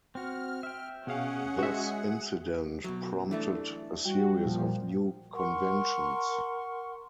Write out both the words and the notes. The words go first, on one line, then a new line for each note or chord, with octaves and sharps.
This incident prompted a series of new conventions.
C4 F#4 F6
E5 G5
B2 C#4 G#4 F5 F#5
G#3 F#4 E5
B2 F#3
E3 A3 D4
G3 F#4
A#2 F3
A#4 F#5 C6 C#6